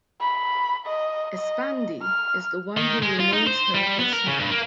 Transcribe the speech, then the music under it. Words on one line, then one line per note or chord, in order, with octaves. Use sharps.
Espandi is the one who renames her Osama.
B5
D#5
D#5
F6
D#3
G#3
F4
D#4
C5
G3
B3
A#4
C#3
G2
A#3